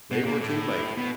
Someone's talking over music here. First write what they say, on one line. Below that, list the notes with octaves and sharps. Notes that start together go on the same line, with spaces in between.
They were too late.
B2
A#2
A2
B2